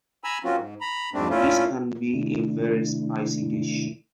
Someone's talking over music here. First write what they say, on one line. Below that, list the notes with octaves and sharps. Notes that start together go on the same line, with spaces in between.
This can be a very spicy dish.
G#5 A#5 B5 E6
F#3 A#3 C4 C#4 F4 F#4
G#2
A#5 B5
F2 G#2 G3 A3 C4 D4
A#2 A3 C#4 E4 F4
C3 D#3 A3 D4 E4